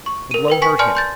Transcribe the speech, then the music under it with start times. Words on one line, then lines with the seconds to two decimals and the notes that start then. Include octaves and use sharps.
The blow hurt him.
0.06 C#6
0.31 A#4 D#7
0.48 A#4 B4 G5
0.62 G#5 C#6 B6
0.79 D5 G#5 A5 C6 F6 C#7
0.95 C6 G6 A6